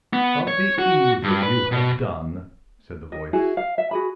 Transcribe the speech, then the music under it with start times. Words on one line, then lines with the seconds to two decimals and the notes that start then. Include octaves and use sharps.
"Of the evil you have done," said the voice.
0.13 B3
0.48 C#5
0.79 F#4
1.23 G2
1.43 B4
1.72 B2
3.12 D#5
3.33 E4 F#4 G#4 G#5
3.57 F5
3.78 E5
3.91 F#4 G#4 B5